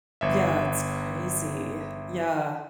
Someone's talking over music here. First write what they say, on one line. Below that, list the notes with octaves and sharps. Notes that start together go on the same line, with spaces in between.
Yeah, it's crazy. Yeah,
G1 E5